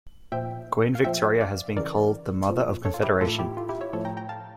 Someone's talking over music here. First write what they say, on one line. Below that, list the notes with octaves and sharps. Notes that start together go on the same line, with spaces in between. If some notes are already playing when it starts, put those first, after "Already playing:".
Queen Victoria has been called the Mother of Confederation.
A#2 F3 E5 G5
F5
A#2 F3 E5 G5
D5 F5
C#3 E3 A#4 D5
A#2 F3
A4 C#5
F4
E4 G4
A2 E3 F4 A4
E4 G4
F4
E4 G4
C#5 E5
A2 F3 A4 C#5
G5 A#5
G5 A#5
F5 A5